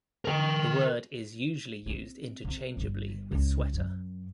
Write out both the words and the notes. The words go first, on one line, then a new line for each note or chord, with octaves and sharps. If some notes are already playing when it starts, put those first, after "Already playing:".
The word is usually used interchangeably with sweater.
A#4 G5
C4
C3
G1
C#2
F#2